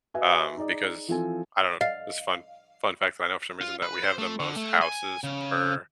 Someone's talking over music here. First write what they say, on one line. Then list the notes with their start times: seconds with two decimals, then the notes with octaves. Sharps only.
um, because I don't it's fun fun fact that I know for some reason that we have the most houses per,
0.14 F#4 B4 D#5 E5 G#5
0.57 D#4 G#4 D5 D#5
1.08 E3 F3 C4 F4 A4 G#5
1.81 D#5 F5
3.61 F4
3.83 B4
4.04 C5
4.18 A3
4.40 D3
4.57 A3
4.82 G#5
5.24 C#3